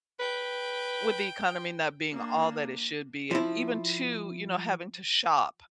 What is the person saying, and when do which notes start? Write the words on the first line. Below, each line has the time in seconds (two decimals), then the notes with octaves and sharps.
with the economy not being all that it should be, and even too, you know, having to shop,
0.20 B4 G5
2.12 A#3 D4
3.31 F3 E4